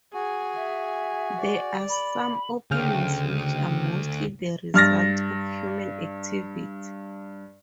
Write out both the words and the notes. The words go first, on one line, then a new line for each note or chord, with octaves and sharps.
There are some openings which are mostly the result of human activity.
F#4 G#4 G#5
E5
D5
B5
D2 C#3 G5 F6
G2 F6 A6 A#6